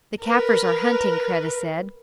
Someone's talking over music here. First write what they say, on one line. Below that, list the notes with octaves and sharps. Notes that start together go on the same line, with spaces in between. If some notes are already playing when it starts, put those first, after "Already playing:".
"The Kaffirs are hunting," Kreta said.
A#4 B4